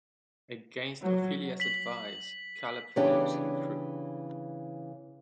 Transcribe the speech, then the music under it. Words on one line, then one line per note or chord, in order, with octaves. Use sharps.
Against Ophelia's advice, Caleb follows him through.
F#3
B6 F#7
C#3 E3 B3 C#4 D4 G4